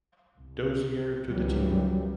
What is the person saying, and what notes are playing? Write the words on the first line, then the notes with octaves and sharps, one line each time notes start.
Dozier to the team.
C2
C#2 D#3 E3 F#3 G3